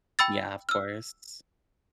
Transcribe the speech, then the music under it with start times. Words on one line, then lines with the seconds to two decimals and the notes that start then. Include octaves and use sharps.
Yeah, of course.
0.19 G5 B5 E6 A6
0.69 E6 F6